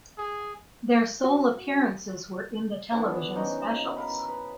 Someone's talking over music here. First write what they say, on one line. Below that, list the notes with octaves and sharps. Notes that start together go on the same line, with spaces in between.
Their sole appearances were in the television specials.
G#4
F#4
D3 E3 B3 D4
C#4 D#4 F#4 D#5
A#4 F5 B5
B4